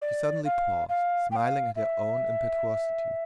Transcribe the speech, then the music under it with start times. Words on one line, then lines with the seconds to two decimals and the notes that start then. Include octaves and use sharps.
She suddenly paused, smiling at her own impetuosity.
0.02 D5
0.45 F5
0.89 F5
1.31 G5
1.36 F5
1.76 E5